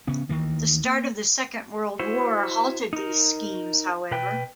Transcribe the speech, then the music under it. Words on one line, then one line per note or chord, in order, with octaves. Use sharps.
The start of the Second World War halted these schemes, however.
C#3 B3 C#4
D2 D#3 E3 A#3
A#3
E4 F#4 C5
D#4 A#4
B2 B4 G5